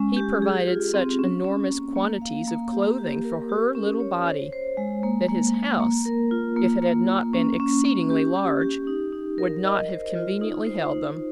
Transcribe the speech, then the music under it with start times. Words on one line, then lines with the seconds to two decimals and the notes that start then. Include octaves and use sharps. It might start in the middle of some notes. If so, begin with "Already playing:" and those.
He provided such enormous quantities of clothing for her little body, that his house, if it had not been exceedingly large, would not have conveniently held them.
Already playing: G#3 C#4
0.17 G4
0.42 G#4
0.68 F4
0.94 C4
1.19 C#4
1.45 C#4
1.70 A#3
1.96 A#3
2.22 F5
2.47 A#3
2.73 G4
2.98 G4
3.24 A#4
3.49 G4
3.75 C#4
4.00 C#5
4.26 C5
4.52 C5
4.77 G#3
5.03 A#3
5.29 A#3
5.54 A#3
5.80 A#3
6.05 A#4
6.31 F4
6.56 A#3
6.82 A#3
7.08 A#3
7.33 C#4
7.60 C#4
7.85 C#4
8.10 G4
8.36 G4
8.61 G4
8.87 D#4
9.13 D#4
9.38 A#4
9.64 D#5
9.90 C5
10.15 F4
10.41 D#4
10.67 C5
10.92 D#4